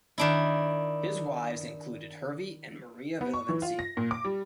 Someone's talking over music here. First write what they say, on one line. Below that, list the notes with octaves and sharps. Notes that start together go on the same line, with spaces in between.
His wives included Hervey and Maria Villavincie.
D#3 D4 E4
B3
C#6
E3
F4
A#6
A#2
D6
G3